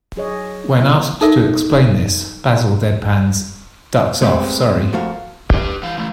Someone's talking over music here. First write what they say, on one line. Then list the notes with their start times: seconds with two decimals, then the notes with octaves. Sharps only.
When asked to explain this, Basil deadpans, "Duck's off, sorry".
0.16 F#3 G#4 C#5 D#5
0.79 F#3 B3 E4 F4
1.21 D#4 A4 A#4 E5
4.22 G#3 A3 C4 G4 B4
4.93 F2 A3 F#4 A#4 F5
5.50 G4 B4
5.83 E3 F5
5.98 E3 A3